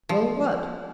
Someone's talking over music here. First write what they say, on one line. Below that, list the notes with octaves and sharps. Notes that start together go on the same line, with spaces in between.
"Well, what?"
F3